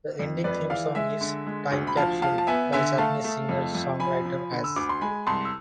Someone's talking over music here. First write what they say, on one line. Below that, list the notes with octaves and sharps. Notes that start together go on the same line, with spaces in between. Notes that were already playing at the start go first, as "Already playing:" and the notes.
The ending theme song is "Time Capsule" by Japanese singer-songwriter As.
F2
F2 B4 D5
E3 D5 F5
G#3 E5 G#5
D3
G#3
D2
B5
F3 F5 A5
F3 F5 A5
A5
B3 E5 G#5
D3 E5 G#5
A3 F5 A5
A3
F2
F2
F3 G#5 B5
F3
D3
E6
D2 D6
C6
G#3 G#5 B5
C2 A5 C6
E6